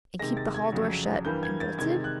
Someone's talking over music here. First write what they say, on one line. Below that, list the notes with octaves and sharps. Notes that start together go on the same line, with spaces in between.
'And keep the hall door shut and bolted?'
C3 D#3 G#3 A#6
A6
G#6
F2 C#3 F#3
G2 E3 G3 A#3 G6
G#6
A6
C3 D#3 G#3 G#6
F#6